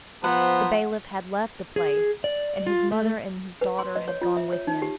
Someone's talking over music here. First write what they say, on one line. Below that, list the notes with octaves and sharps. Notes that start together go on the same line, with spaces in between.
The bailiff had left the place; and his mother and his daughter had gone with him.
F3 B3 C5 F#5 A#5 C6
G#4
D5
F4
A3
B4
C6
D#5
C#5
F4
E5
C#5
D#4
G4